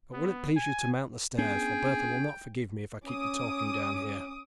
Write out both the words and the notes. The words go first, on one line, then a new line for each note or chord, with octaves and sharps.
But will it please you to mount the stairs, for Bertha will not forgive me if I keep you talking down here.
B3
G#5
B3 C#4 D4 G#4 G5
C#4 D6 D#6